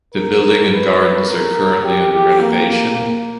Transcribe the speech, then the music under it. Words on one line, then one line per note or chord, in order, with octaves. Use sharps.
The building and gardens are currently under renovation.
A#4
B4
A#4
G4
G4
A#3
A#3
A#3